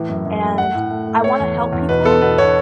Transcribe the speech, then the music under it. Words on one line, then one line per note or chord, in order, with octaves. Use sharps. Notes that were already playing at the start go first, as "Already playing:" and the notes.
and I wanna help people,
Already playing: A2 E3
F#2
F#2
A3
A3 F#5
A2
A3
A3
A3 C#5
E2
E2
E2
B2 B4
B3 A4
B2 B4
B2 C#5